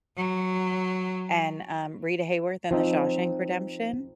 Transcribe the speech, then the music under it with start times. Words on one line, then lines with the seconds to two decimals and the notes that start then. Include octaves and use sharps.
and, um, Rita Hayworth in The Shawshank Redemption,
0.17 F#3
2.71 F3 C4 D#4